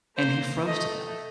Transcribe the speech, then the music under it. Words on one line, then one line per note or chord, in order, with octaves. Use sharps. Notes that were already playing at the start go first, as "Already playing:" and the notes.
and he froze to death.
A#3 C5
A3 D#5